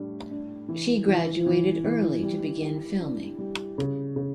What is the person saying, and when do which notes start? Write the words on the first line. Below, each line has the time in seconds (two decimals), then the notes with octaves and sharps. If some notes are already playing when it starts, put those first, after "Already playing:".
She graduated early to begin filming.
Already playing: A2 G3 D4
0.31 D4
0.68 E3
1.07 E3
1.46 E3
1.84 E3
2.23 G3
2.62 G4
3.01 D4
3.38 G3
3.78 C#3
4.16 C#3